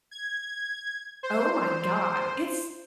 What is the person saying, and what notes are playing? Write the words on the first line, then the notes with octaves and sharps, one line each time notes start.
"Oh, my god." It's
G#6
C5